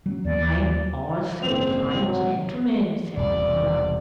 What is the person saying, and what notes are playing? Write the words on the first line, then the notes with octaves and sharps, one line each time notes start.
"I am also a fine gentleman," said the collar.
F#3 C#4
D#2 E3 D5
F#1 G#2 C4
G#2 C3 F#3
E1 C2 D5